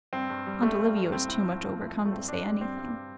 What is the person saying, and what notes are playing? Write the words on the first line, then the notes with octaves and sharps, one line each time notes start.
Aunt Olivia was too much overcome to say anything.
G2 C4
G2
G3
G3 A3
G2
G2
A2 C4
A2
F3
F3
A2
A2
A3
G2 C4
G2 D4
G3 D4
G3 C4
G2